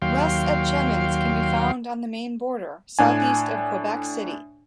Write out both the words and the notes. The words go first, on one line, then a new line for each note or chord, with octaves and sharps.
Les Etchemins can be found on the Maine border, southeast of Quebec City.
D#2 F#3 F5 G5 C6
A2 D4 G#5